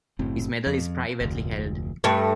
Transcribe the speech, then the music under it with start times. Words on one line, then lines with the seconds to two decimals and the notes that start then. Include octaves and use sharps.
His medal is privately held.
0.19 F#1 A2 C4
0.67 F2
1.21 F1 D2
2.04 G2 A3